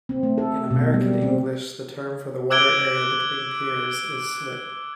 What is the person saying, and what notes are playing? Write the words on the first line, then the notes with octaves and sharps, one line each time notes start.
In American English, the term for the water area between piers is "slip".
C4
A3
A4
B2
G3
C4
D6 E6 F#6 G#6 D7 G7